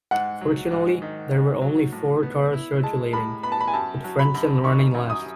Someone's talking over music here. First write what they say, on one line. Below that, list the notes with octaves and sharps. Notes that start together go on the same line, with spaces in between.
Fortunately there were only four cars circulating, with Frentzen running last.
G#2 F#5
F#3
G#2
D#3
G#2
F#3
A2
B3
E4
G#3 A5
A2 B5
B3 B5
A5
B5
G#5
F#2 A5
F#3
B5
F#2
D#3 C#6
F#2
D#6